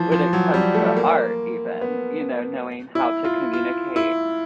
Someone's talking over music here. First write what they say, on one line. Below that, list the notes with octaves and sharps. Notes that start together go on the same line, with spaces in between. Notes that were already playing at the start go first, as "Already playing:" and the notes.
when it comes to art even, you know, knowing how to communicate
Already playing: E3 F3
F3
F#3
G3
A3
A#3
B3
E4
F4
F4
E4